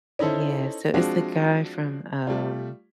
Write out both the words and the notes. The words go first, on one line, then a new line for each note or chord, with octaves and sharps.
Yeah, so it's the guy from, um,
C#4 D#4 E4 A4 C5
F3 G#3 C4 D4 F4 F#4
G3 A3 F4